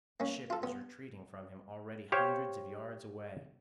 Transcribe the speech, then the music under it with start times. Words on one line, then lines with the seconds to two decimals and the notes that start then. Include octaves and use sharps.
The ship was retreating from him already hundreds of yards away.
0.20 A#3 C#4
0.50 F4 A4
0.63 B3
2.12 G4 C5 C#5 F5